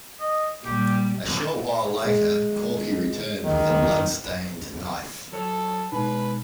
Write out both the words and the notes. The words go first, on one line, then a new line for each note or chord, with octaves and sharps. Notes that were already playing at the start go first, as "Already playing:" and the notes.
A short while later, Corky returns with a bloodstained knife.
D#5
A#2 G3 G4
G#3
D#3
F#3 A4 C#5
B2 G#3 D#4 B4